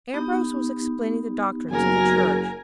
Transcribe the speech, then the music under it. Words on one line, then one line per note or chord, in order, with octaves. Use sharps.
Ambrose was explaining the doctrines of the Church.
B3 D#4 G4
F#1 F#3 A#4 G#5